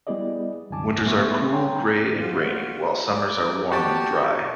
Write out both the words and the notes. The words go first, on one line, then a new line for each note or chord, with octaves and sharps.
Winters are cool, gray and rainy, while summers are warm and dry.
G3 B3 E4 G#4 D5 D#5
C2 F#2 D3 G#5 A5 D6
G3 A3 B3 E5 C6 C#6
C#5 G5 G#5 A#5 C6
F4 F#4
D5
F#4 G4 A5